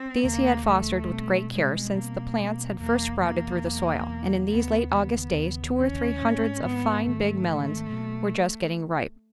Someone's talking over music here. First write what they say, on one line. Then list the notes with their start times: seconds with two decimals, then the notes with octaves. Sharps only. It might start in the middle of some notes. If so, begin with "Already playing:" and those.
These he had fostered with great care since the plants had first sprouted through the soil, and in these late August days two or three hundreds of fine, big melons were just getting ripe.
Already playing: C4
0.23 D#2 C#3 E3 A#3
0.66 D#2 C#3 E3 A3
1.09 B2 G3 C4
1.52 B2 G3 G#3 C4
1.94 B2 G3 A#3 C4
2.37 B2 G3 C4
2.80 E2 B2 F#3 A#3
3.22 E2 B2 F#3 A#3
3.64 E2 B2 F#3
4.08 E2 B2 F#3
4.51 D#2 C#3 E3 B3
4.93 D#2 C#3 E3 B3
5.36 D#2 C#3 E3
5.78 D#2 C#3 E3 C#4
6.21 G#2 D#3 G#3 C4
6.64 G#2 D#3 G#3 B3 C4
7.06 G#2 D#3 G#3 A3 C4
7.49 G#2 D#3 G#3 C4
7.92 B2 F#3 A#3